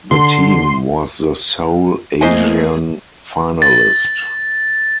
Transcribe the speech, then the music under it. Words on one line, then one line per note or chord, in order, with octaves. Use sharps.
The team was the sole Asian finalist.
D3 C6
A3 A#3 G#4 C5 D#5 G#5
A6